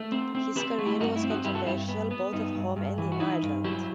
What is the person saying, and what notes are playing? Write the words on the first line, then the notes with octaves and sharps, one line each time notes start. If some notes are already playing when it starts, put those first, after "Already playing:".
His career was controversial both at home and in Ireland.
Already playing: A3
C4
C4
C4 G4 B4
A3
E4 G4
G2 D#4 F#4
E4
C4
D#4 F#4
G2 E4 G4
F#4 A4
G2 E4 G4
B3
B3
G2 D#4
G2
G2
E3
F#4
D#4 E4
G2
F#3 E4 G4